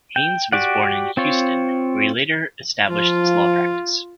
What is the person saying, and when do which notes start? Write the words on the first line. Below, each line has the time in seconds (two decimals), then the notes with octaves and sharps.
Haynes was born in Houston, where he later established his law practice.
0.16 G5
0.52 F#4 G4 D5 F#5
1.17 C4 F4 C#5
2.90 F3 F4